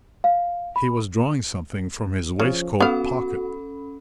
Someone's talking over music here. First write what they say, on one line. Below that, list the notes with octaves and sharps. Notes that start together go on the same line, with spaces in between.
He was drawing something from his waistcoat pocket.
F5
B5
C#3 F3
B3 C#4 F#4 A4 F5 B5